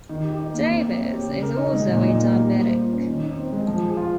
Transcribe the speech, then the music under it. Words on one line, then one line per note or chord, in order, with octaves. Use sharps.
Davis is also a diabetic.
D#3
G4
D#4
A#3
C4
C4
C#5
G4
C#3
A#4
D#4
G#3
A#2
D#4
A#3
G3
A#3
C5
F4
C#4
D#3
D#4
C4
G#3
F3
G#4
F4